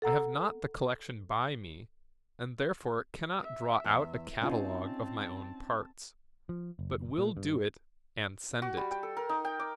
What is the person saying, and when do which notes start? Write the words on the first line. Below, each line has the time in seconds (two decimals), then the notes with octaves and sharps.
I have not the collection by me, and therefore cannot draw out a catalogue of my own parts, but will do it, and send it.
0.02 A4 F#5 A#5 E6
3.42 E5
3.84 E2
4.41 C4 C#4 D#4 F4 A5
6.49 F3
6.79 F#1
7.18 A#2
7.37 G2
8.62 F#4
8.77 G3
8.91 G5
9.03 A4
9.17 A#4
9.29 D#4
9.45 G5
9.60 D6